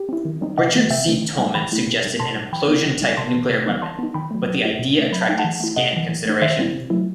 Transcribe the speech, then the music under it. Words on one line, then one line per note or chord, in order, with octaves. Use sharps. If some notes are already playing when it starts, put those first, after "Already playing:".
Richard C. Tolman suggested an implosion-type nuclear weapon, but the idea attracted scant consideration.
Already playing: G4
C4 E4
D#3
G3 C4 D#4
C3 D#5 F#5
D#3 A3
C3 E5 G5
D#3 A3 C4 D#4
D#3
G3 D#4
E3 G5 B5
A3 E4
B2
G3 D#4
B2 A5 C6
G3 D#4
E3 G5 B5
B3 E4
E3
G3 D#4
C3 A5 C6
E3 B3
C3
E3 G3 B3 D#4
E3 A5 C6
B3 D#4
D#3 G5 B5
F#3 A3
F#3
A3 E4
B2
A3 D#4
F#3 B5
A5
A3 D#4 G5
F#5 A5
E3
A3 E4
C3 D#5 F#5
E3 G3
E3
A3 D#4
D#3 C5 E5
G3 C4 E4
C3
F#3 A3 E4